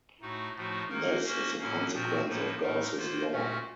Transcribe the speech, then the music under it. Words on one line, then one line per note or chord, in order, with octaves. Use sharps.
This is a consequence of Gauss's law.
A2 A3 D#4 F#4
A2 F3 A3 D#4 F#4
D#3 A#3 D#4 A#4
A#3 C#4 F#4 C5
A2 F#3 A#3 C#4
A#2 F3 C4 F#4 C5
A2 F3 A#3 D#4
A2 A3 D#4 A#4
D#3 A#3 F4 C5
A#2 A3 C#4 F#4